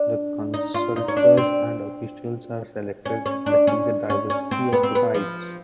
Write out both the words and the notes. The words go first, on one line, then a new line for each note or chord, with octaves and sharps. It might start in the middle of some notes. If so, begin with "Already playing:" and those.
The consultors and officials are selected reflecting the diversity of rites.
Already playing: D4
D#4
F4
D#4
C#4
D4
C4
C#4
C#4
D4
C#4
C#4
C#4
C4
B3
C4
B3
F3